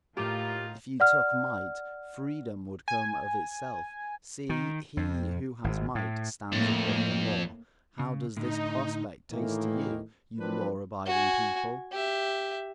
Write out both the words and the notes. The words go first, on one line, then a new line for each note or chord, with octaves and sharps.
If you took might, freedom would come of itself. See, he who has might "stands above the law." How does this prospect taste to you, you "law-abiding" people?
A2 A#3 D#4 F4 G4
D5 F#5 F6
G#5
D#3
F2
G#1
A2
F2 A2 A#3
C#3
A2 D3 D#4
A2 D#3 E3 A#3
F3 F#3 C4 D4 A#4 B4
F#4 G#5
G4 E5